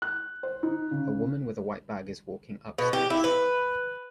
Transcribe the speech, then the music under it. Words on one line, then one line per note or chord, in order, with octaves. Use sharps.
A woman with a white bag is walking upstairs.
F#6
C5
D#4
C#3
B2
G4
E4
B4